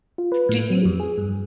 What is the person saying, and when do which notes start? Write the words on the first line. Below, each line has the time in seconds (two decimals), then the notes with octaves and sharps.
Do you
0.18 F4
0.32 B4
0.49 A2
0.70 F#3
0.85 F2
1.00 G#4
1.18 G2